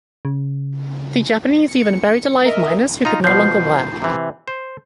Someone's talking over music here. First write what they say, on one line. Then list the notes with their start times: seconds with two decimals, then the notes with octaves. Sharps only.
The Japanese even buried alive miners who could no longer work.
0.25 C#3
1.68 C#7
2.44 A#4 D#5 E5
3.05 D#4 F4 A#5
3.24 B2 F3 G6 C7
4.02 C3 E3
4.48 C5